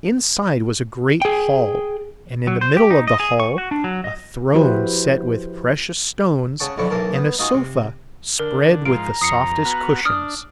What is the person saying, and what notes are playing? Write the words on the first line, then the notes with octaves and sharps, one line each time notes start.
Inside was a great hall, and in the middle of the hall a throne set with precious stones and a sofa spread with the softest cushions.
G#4 G5
F#3
C5
G4
D#4
D#5
G#4
C#6
F#4
D4
F#3
D#5
F3 E4 F#4 G4 B4 C5
C#3 C#5 F#5 A5 C#6
B1 F2 D3 E4 C#6
B1 E3 A#3 A#4 A5
B3
D#4 F4 F#4 F5 G#5
C3
D3 A#4
G#2 F3 F4 A#5 D7
F2 D#6 C7 C#7
B3 F#4 F6
D4 D#6 F6